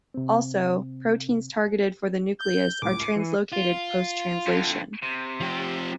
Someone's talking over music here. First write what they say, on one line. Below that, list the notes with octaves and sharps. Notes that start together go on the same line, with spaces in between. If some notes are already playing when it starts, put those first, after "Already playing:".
Also, proteins targeted for the nucleus are translocated post-translation.
C3 C4
G6
C#2 A2 D6
C7 C#7 D#7
E3
F4
F2 D3
C3
F3 G4